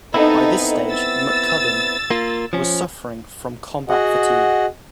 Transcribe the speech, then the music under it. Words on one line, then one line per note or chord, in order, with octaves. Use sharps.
By this stage McCudden was suffering from combat fatigue.
B3 C4 D#4 E4 A4 D#5
E6 A6
A#3 F4
F3 C#4
F#4 G#4 D#5 F#5